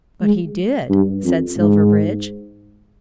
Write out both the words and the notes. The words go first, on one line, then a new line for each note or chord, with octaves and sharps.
"But he did," said Silverbridge.
G#3
G2
F2
G#2